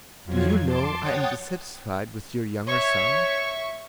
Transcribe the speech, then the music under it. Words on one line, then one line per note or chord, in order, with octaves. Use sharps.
Do you know I am dissatisfied with your younger son?
F2 F3 F#3 G#6
A5 C6 D6
C#5 F#5 G5 D#6 A6
C#5 E5 C#6